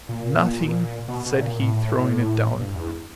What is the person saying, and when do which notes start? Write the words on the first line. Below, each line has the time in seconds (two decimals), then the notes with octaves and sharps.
"Nothing," said he, throwing it down.
0.09 A#2
1.08 B2
1.26 B2
1.38 A2
1.42 A#2
1.59 A2
2.60 G2
2.76 E2